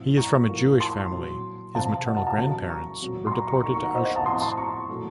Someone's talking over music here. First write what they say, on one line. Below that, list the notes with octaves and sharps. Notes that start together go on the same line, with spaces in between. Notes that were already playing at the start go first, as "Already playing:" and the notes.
He is from a Jewish family; his maternal grandparents were deported to Auschwitz.
Already playing: A2 F3 C4
A#5 C#6
A2 F3 A#3
A5 C6
A#2 F#3 C4
C3 F3 C4 F5 A5
D#5 F#5
F5 A5
F5 A5
C#3 F#3 A#3
A#5 C#6
A#2 F#3 C4
C6
A#5 C#6
A#5 C#6
D#3 A#3 A#5 C#6
A#5 C#6
F#5 A#5
C5 D#5
D#5 F#5
F5 A5
A2 F3 C4 C6 D#6
A5 C6
A#5 C#6
A#2 F#3 A3